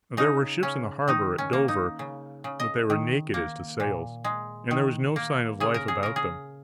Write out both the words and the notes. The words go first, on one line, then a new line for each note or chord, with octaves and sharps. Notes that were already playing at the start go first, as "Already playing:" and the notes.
There were ships in the harbor, at Dover, but they were naked as to sails, and there was no sign of life about them.
C#3 D#4
C#3 C#4
D#3 D#4
C#4
A#3
D#4
C#3
C#3
D#5
D#3
A#3
A#2
G#3
D#3
A#3
C#3 G#4
A#4
G#4
C#3 A#4
G#4